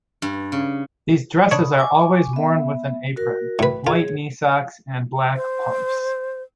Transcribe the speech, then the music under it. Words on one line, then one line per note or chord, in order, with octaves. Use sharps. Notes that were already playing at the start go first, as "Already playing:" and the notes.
These dresses are always worn with an apron, white knee socks and black pumps.
G2
C#3
D4 C#5 B5 C#6 D#6
G#5 C#6 D6
B3 E5
F#4 A#4
A2 B4
F4 G#4 C#5
C5